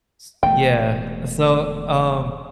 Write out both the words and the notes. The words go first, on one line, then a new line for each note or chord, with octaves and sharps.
S yeah, so, um,
E1 A3 G5